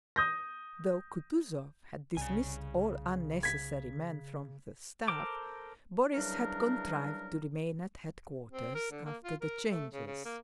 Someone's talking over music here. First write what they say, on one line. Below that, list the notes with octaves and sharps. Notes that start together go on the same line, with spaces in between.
Though Kutuzov had dismissed all unnecessary men from the staff, Boris had contrived to remain at headquarters after the changes.
D#6 G6 A#6
C2 C#3 G#5
G#6 B6
A4 A#4 C5 D6
C#3 E3 F#3 G3 D4 A#4
C4
A#4
D3
A#3
F4
A#4
A3
C#3
C#3
A#3